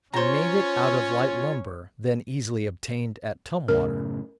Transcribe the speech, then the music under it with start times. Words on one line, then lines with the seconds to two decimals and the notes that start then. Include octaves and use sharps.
We made it out of light lumber, then easily obtained at Tumwater.
0.14 C#4 F4 C5 C#5 A#5
3.68 F#2 A2 C#3 A#4